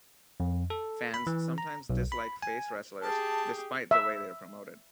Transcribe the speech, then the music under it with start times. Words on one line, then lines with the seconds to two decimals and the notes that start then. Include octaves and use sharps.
Fans sometimes dislike face wrestlers despite the way they are promoted.
0.40 F2
0.70 A4
1.14 B5
1.27 E3
1.58 A#5
1.90 B1
2.12 B5
2.42 G#5
3.02 G4 G#4 A5
3.91 E5